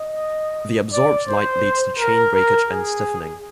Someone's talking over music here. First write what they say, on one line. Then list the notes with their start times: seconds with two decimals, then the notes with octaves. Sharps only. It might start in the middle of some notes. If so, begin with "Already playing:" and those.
The absorbed light leads to chain-breakage and stiffening.
Already playing: D#5
0.93 D5
1.28 C5
1.99 A#4
2.34 A#4
2.69 G#4